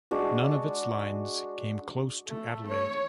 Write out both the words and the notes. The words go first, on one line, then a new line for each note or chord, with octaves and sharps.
None of its lines came close to Adelaide.
G#3 D4 F#4
A3
C#5